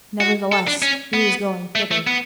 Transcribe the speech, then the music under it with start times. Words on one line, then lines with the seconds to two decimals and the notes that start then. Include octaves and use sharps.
Nevertheless, he was going thither.
0.21 F#4
0.52 A4
0.67 D4
0.82 C#4
1.14 B3
1.75 A3
1.91 A3
2.07 B3